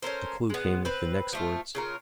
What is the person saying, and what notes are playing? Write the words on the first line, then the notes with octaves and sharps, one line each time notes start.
A clue came with the next words.
C#4 A4 A#4 C5
G#3 B3
C4 B4
F3 A3 F4
C#3 F4 A#4